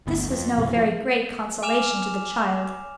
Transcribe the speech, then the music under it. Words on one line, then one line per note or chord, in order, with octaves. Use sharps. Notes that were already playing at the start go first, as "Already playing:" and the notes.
This was no very great consolation to the child.
G1 D2 B3
F2
C#2 G#2 C3 B3
E2 A2 F3
G#5 D6 F6 E7 F7